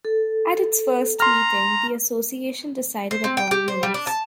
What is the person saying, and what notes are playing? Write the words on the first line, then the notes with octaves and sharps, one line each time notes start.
At its first meeting, the Association decided upon names.
A4
A#5 C6 F6
C5
C4
G5
G4
C5
G3
D4
A5